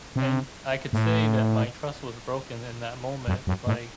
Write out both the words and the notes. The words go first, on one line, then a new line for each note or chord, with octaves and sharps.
and I could say that my trust was broken in that moment, like
C3
A2
F#2
F#2
A2